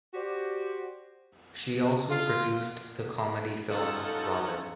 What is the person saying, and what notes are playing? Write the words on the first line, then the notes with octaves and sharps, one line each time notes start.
She also produced the comedy film "Robin".
F#4 G4 C5 D5
F4
C#4 D#4 F4 A4 F#5